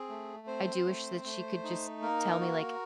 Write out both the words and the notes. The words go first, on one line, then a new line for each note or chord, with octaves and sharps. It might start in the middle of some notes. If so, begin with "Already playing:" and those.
I do wish that she could just tell me, like
Already playing: C4 G#4
A3
C4 C5
A3
A3
D#4
A#3 A#4
F#4